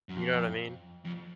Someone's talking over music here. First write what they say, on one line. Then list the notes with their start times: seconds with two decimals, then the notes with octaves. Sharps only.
You know what I mean?
0.09 F#2
0.17 F2
1.05 F2